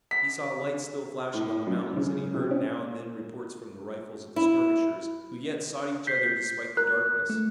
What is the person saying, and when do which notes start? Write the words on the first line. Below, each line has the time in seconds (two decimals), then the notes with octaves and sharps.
He saw lights still flashing on the mountains, and he heard now and then reports from the rifles of the skirmishers, who yet sought each other despite the darkness.
0.11 B6
1.34 A2
1.67 F#2
1.96 C#3
2.34 C3
2.51 C#4
4.36 E4
6.07 G6 B6 C7
6.77 A#4 F#6
7.30 A3